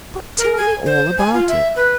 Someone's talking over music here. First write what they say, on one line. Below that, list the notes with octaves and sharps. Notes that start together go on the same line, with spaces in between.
But tell me all about it!
A#4
G#5
C5
G#5
F4
E5
B4